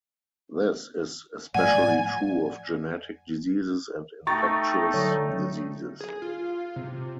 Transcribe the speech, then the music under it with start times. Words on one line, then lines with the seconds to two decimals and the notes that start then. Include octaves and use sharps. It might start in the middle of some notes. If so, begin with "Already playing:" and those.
This is especially true of genetic diseases and infectious diseases.
1.55 A2 F3 D5 F#5 G#5
4.27 A3 D#4 G5 A#5 C#6 A6
4.94 D3 F#3
6.01 G#4
6.22 F4
6.76 C3